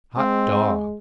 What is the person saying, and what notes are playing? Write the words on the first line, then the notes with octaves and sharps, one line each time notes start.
Hot dog!
G#3 C4